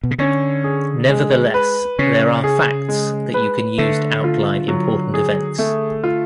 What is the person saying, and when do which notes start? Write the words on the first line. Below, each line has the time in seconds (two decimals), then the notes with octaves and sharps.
Nevertheless, there are facts that you can use to outline important events.
0.04 B2
0.11 C#3
0.19 D3 C#4
0.64 G#4
1.09 G#3
1.54 B4
1.99 C#3 C#4
2.44 G#4
2.89 G#3
3.34 B4
3.78 D3 A3
4.24 F4
4.68 F#3
5.14 G#4
5.59 A3
6.04 F4